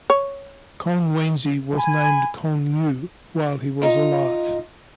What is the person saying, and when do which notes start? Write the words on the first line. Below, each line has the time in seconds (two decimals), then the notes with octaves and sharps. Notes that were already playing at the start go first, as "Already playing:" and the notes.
Kong Wenzi was named Kong Yu while he was alive.
0.10 C#5
1.76 G#5 B5
3.82 D#4 F4